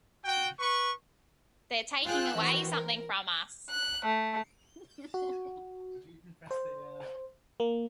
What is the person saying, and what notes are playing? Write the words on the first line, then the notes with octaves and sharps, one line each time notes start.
They're taking away something from us.
F#4 G5
B4 C#6
F4 G#4 F5 G5 E6 F#6
D#3 E3 C4 F#4
A#4
F#6
A3
F#4
C5
A#3